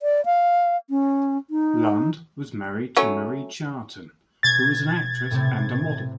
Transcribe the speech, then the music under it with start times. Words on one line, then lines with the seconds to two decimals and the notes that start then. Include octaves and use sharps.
Lund was married to Marie Charton, who was an actress and a model.
0.02 D5
0.25 F5
0.90 C#4
1.50 D#4
2.96 F#3 A3 C#4
4.43 B2 G#6 A6
5.31 A2 C3 C4